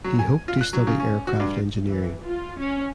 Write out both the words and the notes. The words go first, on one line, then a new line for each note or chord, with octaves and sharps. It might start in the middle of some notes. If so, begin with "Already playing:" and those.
He hoped to study aircraft engineering.
F#3
G#5
F4
F#6
F#3
C#3
C#4
F#4
G2
E3
F4
C#4